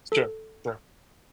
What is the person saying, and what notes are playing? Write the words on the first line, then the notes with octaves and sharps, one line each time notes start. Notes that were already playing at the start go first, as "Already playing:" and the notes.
It's true, sure.
A4